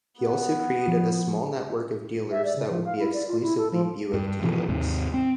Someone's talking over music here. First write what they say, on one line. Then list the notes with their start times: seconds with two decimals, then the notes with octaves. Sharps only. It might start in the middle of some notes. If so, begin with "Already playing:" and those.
He also created a small network of dealers that would be exclusively Buick dealers.
0.19 B3
0.88 F3
2.31 E5
2.44 D5
2.56 C#3
2.69 F3
2.85 F5
2.99 E4
3.13 D5
3.28 F4
3.42 E4
3.58 A4
3.72 F3
4.13 G2
4.42 B2 E3 F3
4.68 D#2 G#2 C3
5.14 C4